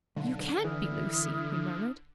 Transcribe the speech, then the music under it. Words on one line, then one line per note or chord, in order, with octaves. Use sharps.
"You can't be Lucy!" he murmured.
B1 D3
E3 E4 D#6 F6